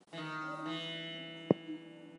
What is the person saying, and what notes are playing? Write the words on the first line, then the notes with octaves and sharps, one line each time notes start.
Pant mostly wrote in Sanskritized Hindi.
E3
D#3
E3